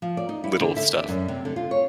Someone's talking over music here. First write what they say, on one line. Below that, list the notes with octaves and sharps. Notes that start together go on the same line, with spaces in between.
little stuff.
F3
D5
D#4
E4
D3
E5
D5
F#2
C3
D3
F4
C#5